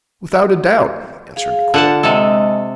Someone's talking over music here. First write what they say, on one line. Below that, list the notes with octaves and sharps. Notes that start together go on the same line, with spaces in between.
"Without a doubt!" answered Nicholl.
G#4 F5
D3 F4 A4 F#5 A5
C3 G#3 A4 D#5 D#6